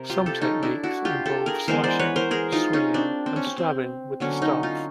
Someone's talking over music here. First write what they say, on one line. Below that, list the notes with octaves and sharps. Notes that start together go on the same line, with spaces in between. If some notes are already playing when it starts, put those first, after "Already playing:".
Some techniques involve slashing, swinging, and stabbing with the staff.
Already playing: C3 A#4
F4 G4
G4 A4
C#4 D#4
D4 E4
E4 F#4
F4 G4
G4 A4
G#4 A#4
E3 G#3 B3 A#4 C5
C5 D5
B4 C#5
A#4 C5
G#4 A#4
D#4 F4
C#4 D#4
C4 D4
C4
C#4
C4
C4
D3 F#3 B3 C#4
C#4 D#4
D#4 F4